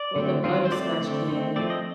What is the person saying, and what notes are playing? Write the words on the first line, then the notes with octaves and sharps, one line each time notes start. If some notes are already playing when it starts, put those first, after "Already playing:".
Or the butterscotch candy.
Already playing: D5
D3 A3 C4
D#3 G3 C4 F4
C5
F3 A3 C4 D5
D3 A3 C4
D#3 A3 C4
F3 A3 C4 D5
D#5